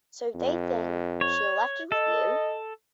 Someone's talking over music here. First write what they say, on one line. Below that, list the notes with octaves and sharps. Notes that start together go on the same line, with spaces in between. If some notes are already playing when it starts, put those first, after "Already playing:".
So they think she left it with you.
F2
C#5
A4 D#5